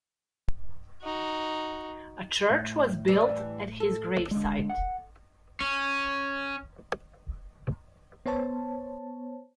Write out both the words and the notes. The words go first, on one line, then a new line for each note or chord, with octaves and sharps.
A Church was built at his gravesite.
D#4 F#4
A2
E3 G3 D4
A4
D3 G#3
F#5
C#4
B3 C5 C#5 A5